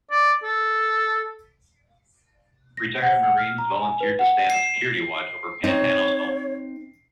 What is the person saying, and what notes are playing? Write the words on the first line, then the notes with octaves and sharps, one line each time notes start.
Retired Marines volunteered to stand a security watch over Pantano's home.
D5
A4
A#6
F#5
F#5
F6
A#5
G#5
B4
F#5
E7
C4 D#4 C#5